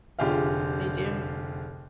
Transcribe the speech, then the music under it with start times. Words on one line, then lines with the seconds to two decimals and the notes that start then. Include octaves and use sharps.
They do.
0.19 F1 D3 F4 G4 G#4 F5